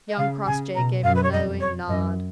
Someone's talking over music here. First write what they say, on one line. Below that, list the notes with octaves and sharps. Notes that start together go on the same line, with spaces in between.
Young Crossjay gave a knowing nod.
D#5
C#3 F5
C#3 G#5
B2 A#5
F#2 F5
B4
C#5
F2 D#5
C#5
F#2 D#5